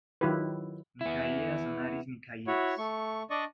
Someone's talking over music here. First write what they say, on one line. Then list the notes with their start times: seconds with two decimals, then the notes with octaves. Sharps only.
Nikaias and Aris Nikaias.
0.21 D#3 F#3 E4 F4 G4 B4
1.01 B3 E4
2.47 E4 F#4 C#5
2.78 A3 C#6
3.30 D4 D5 D#5 C#6